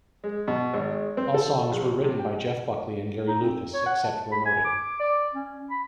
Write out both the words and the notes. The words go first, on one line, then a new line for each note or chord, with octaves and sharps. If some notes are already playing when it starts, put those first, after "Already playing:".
All songs were written by Jeff Buckley and Gary Lucas, except where noted.
G#3
B2
G#1
G#3
C4
A4
A#1
C3
G5
D#4
C4
C#5
F#5
A5
B5
G#5
D6
D5
C#4
B5